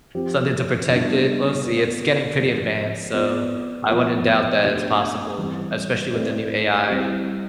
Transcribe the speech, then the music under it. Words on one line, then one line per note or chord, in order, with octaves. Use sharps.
something to protect it, we'll see, It's getting pretty advanced, so I wouldn't doubt that it's possible, especially with the new AI.
F3 C4 G4
B2 G3 D4
B3 F4 B4 D5
F3 C4 G4
B3 F4 B4 D5
F3 B3 F4 B4
B2 A3 D4 G4 B4
E3 G3 C4
A3 C4 E4 B4 D5
G3 C4 E4 G4